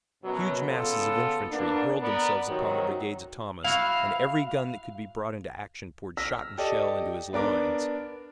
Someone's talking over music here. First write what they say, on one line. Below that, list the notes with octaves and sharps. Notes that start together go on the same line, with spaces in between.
Huge masses of infantry hurled themselves upon the brigades of Thomas, and every gun that could be brought into action poured shot and shell into his lines.
F#2 B2 F#3
C#3 B3 F4 A4
A#3 B3 D4
B3 A#4 D5
C3 D#3 F#3
E4 F#4 F5
E6 F6 A#6 B6
G4 A4 D5 D#5
B3 D4 A#4 D6